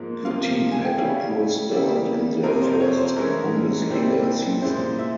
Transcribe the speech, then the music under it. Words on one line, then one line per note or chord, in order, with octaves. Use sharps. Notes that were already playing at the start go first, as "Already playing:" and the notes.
The team had a poor start in their first Bundesliga season.
Already playing: G#2 F3 A#3
C3 F3 A#3 F4 F5
G#5
G5
C#3 G3 C#4 E4 F5
C#3 G3 A#3 E4
F2 C3 F3 A#4
C5
C#5
C5
E3 G#3 C#4 E4 A#4
A#2 G3 C4 E4
A#2 G#3 E4 C5
E5